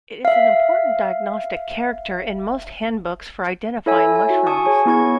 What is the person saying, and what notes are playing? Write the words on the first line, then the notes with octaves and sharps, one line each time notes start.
It is an important diagnostic character in most handbooks for identifying mushrooms.
E5 F5
E4 A4 C#5 E5 G#5 E6
G#5
F#4
G#5 A5 C#6 D#6
G#4 C#5 G#5
B3 E4 C#6 G#6